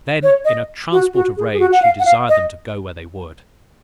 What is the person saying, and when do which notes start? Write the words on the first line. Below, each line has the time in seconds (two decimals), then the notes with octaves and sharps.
Then, in a transport of rage, he desired them to go where they would.
0.23 C#5
0.45 D#5
0.92 F#4
1.14 F#4
1.37 G#4
1.53 G#4
1.60 F#4
1.72 F#5
1.82 F5
2.00 F#5
2.05 F5
2.29 D#5